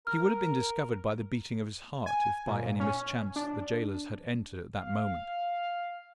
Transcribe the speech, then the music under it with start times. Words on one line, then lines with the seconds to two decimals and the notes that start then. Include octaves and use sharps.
He would have been discovered by the beating of his heart, if by any mischance the jailers had entered at that moment.
0.07 A#4 F6
2.06 G#5
2.47 A#2
2.80 C#4
3.36 D4
4.76 F5